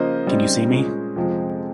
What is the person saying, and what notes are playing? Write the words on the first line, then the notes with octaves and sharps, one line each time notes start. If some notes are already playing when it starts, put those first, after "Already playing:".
Can you see me?
Already playing: C#3 F3 A#3 C5 D#5
C#3 G3 C4 D#4
A#2 G#3 C#4
F2 C3 F3 G#3 C4